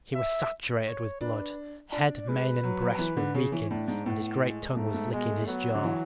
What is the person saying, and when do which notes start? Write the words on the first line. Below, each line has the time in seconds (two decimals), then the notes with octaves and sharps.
He was saturated with blood: head, mane and breast were reeking, and his great tongue was licking his jaws.
0.14 E5
0.86 C#5
1.21 D4 B4
1.92 D4 D5
2.28 G#3 B4
2.63 F#3
2.81 F#3
2.93 F#3
2.99 E3
3.17 D3
3.34 C#3 C#5
3.52 E3
3.70 A2 D4
3.88 G#2
4.05 A2 B3
4.41 G#3
4.76 G#2 A3
4.94 G#2
5.12 B2 G#3
5.30 A3
5.41 A3
5.47 F#3 B3
5.75 D3
5.83 E3